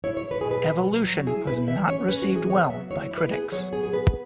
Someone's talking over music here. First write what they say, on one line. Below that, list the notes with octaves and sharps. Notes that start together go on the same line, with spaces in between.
"Evolution" was not received well by critics.
E4 C#5
C#5
E4
B4
B2 G#4
B4
B2
F#3
F#3
E4 G#4
E4 B4
E3 E5
C#4 C#5
C#4 B4
F#4
E3
G#4
B3 C#5
F#3 E5
E4 C#5
E4
B4
B3 G#4
F#3 C#5
B3 G#4
G#4
B3 B4